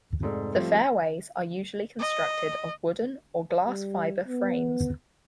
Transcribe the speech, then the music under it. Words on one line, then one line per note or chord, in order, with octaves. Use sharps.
The fairways are usually constructed of wooden or glass fibre frames.
F1 G#2 A4 D5
F3 G3 A3 C4
D#5
G3
B3